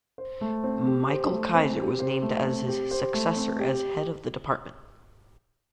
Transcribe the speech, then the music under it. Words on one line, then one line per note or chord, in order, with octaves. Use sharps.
Michael Keiser was named as his successor as head of the department.
C5
A3
C4
G4
C5
A3
C4
G4
C5
A3
C4
G4
C5
A3
C4
G4